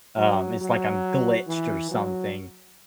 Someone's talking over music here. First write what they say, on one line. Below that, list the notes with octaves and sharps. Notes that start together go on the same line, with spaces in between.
um, it's like I'm glitched or something,
F#3
F#3
E3
F#3